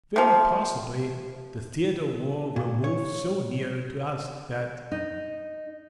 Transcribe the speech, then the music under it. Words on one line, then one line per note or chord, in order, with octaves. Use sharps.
"Very possibly the theater of war will move so near to us that..."
C3 F3
A#2
C#5
D#4